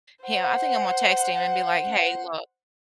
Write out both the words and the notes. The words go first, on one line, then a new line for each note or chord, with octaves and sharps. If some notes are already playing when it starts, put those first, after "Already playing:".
him I think I'm gonna text him and be like, "Hey, look"
C5 F#5